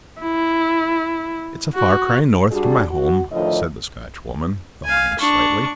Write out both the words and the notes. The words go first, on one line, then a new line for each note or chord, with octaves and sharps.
"It's a far cry north to my home," said the Scotchwoman, thawing slightly.
E4
F#4
G3 D4 F#4 G#4
F#4
D2 A2 D3 D#3 F3 D#5
F5 G#5
D4 C#6